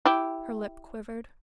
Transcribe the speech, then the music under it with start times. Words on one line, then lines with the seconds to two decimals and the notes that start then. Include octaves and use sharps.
Her lip quivered.
0.05 E4 G4